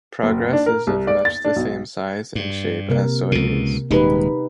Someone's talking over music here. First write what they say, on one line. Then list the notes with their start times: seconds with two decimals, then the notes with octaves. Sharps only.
Progress is of much the same size and shape as Soyuz.
0.23 F#1
0.53 D4
0.66 A#4
0.87 C2
1.07 D5
1.25 A6
1.44 D4
1.56 B1
2.35 G2
2.90 C3 A#3 A#4
3.32 C#2 B2
3.91 D#1 G#3 D#4 G4 B4